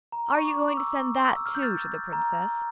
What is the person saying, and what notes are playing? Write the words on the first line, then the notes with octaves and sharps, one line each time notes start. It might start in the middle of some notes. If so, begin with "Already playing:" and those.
Are you going to send that, too, to the Princess?'
A#5
C#6
D6
C#6
D6
E6
D6
E6
F6
G6
F6 A6
A#5